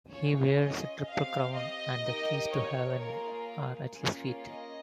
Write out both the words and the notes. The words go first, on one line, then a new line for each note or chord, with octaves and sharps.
He wears a triple crown, and the keys to Heaven are at his feet.
C#4 F4 G#4 C#5
D#5
C4 G4 F5
D#5
A#3 D#4 G4
C#5
A#3 F4 G#4 A#4
A#3 C#4 F4 G#4
D#5